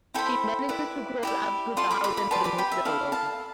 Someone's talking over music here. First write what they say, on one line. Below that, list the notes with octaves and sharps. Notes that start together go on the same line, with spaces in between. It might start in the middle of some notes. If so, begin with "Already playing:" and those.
She manages to crawl up to the house and remove the worm.
E4 A4 C5 G5 B5
E4 B4 D5
E4 G4 D5
F4 A4 D5 A5 C6
B5 D6
B5 D6
B5 D6
G4 B4 D5 A5 C6
B5 D6
G5 B5
E5
E4 A4 D5 F5
F5 A5